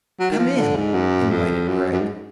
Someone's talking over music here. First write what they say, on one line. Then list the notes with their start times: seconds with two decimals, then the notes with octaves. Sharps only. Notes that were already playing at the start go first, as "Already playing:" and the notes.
"Come in," invited Gregg.
0.19 F#3
0.31 D#3
0.38 F3
0.57 D3
0.76 G#2
0.94 F#2
1.31 F2
1.68 F#2
1.92 F#2
2.00 G#2